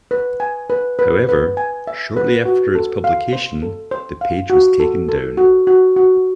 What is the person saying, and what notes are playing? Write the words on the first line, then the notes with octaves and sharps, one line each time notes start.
However, shortly after its publication, the page was taken down.
B4
G#5
B4
B4
B4
G#5
E5
B4
F#4
A4
F5
C5
A4
C5
F5
F#4
A4
A4
F#4
F#4
F#4